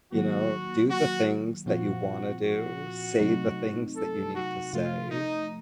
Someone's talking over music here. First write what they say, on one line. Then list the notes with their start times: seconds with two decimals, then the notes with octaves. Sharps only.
you know, do the things that you wanna do, say the things that you need to say,
0.12 D#3 F#3 A#3 F#4
0.90 F#4
1.66 A#2 F3 C4 F4 F#4
2.42 F#4
3.19 C3 F#3 A3 C4 D#4
3.96 A4
4.34 F#4
4.72 C3 F3 A3 F4
5.10 D#4